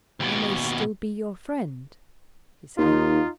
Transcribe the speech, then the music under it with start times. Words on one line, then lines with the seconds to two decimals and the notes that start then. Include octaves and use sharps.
"I may still be your friend?" he said.
0.20 D#2 B2
2.78 D#2 D#4 F4